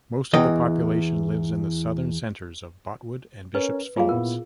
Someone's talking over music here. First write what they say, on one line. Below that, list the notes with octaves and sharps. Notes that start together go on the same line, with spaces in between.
Most of the population lives in the southern centres of Botwood and Bishop's Falls.
E2 E3 D#5 G5
C#4 A#4 B4 C#5
F#3 G3 A#3 F4 G#4 F5
A#2 B3 E4 A#4